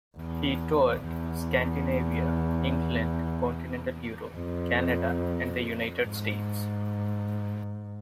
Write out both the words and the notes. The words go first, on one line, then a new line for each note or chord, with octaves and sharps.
He toured Scandinavia, England, continental Europe, Canada, and the United States.
E2
E2
F2
G#2